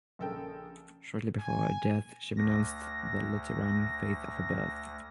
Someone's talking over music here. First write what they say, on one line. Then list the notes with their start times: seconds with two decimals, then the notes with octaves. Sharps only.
Shortly before her death she renounced the Lutheran faith of her birth.
0.19 A#1 C#3 A4 A#4 G5
1.38 G#5
2.37 D2 A#6